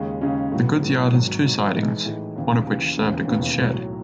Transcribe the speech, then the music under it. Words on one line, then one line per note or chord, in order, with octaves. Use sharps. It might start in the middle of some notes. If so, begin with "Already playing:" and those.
The goods yard had two sidings, one of which served a goods shed.
Already playing: D#2 C#3 G#3 C#4
D#2 C#3 G#3 C#4
A2 F#3 B3
A2 F#3 B3
G#1 G#2 F#3
G#1 G#2 F#3
A2 E3 G#3 D#4
A2 E3 G#3 D#4
D#2 C#3 E3
D#2 C#3 E3
E1 D#2 C#3 E3 B3
E1 D#2 C#3 E3 B3
B1 A2 F#3